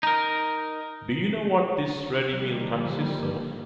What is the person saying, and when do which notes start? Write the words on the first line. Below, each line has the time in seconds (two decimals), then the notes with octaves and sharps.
Do you know what this ready meal consists of?
0.03 D#4 A#4
2.31 D3 D#3 F3 G3 A#3